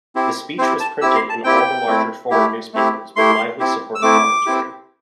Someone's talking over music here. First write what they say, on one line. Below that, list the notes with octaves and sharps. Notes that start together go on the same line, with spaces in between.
The speech was printed in all the larger foreign newspapers with lively supportive commentary.
C4 E4 G4
C4 E4 G4 C5
A5
C4 E4 G4 E6
C6
A5
C4 E4 G4 G5
A3 C4 E4
A3 E4 G4
A3 C4 E4 G4
A3 E4 G4 C6
C4 E4 G4
E6
A3 C4 E4 D6
C4 E4 G4